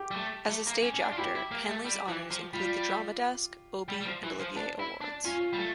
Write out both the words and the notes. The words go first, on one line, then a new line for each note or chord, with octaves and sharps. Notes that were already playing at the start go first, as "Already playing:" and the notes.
As a stage actor, Henley's honors include the Drama Desk, Obie, and Olivier Awards.
Already playing: G4
G3
A3
A3
A#3
C#4
C#4
D4
F4
E4 G4
E4
A#3
A3
G3
E3
F3
G3 F4
G3
G3
F3
E3
F3
D4
E4
D4
C#4 F4
G3
A3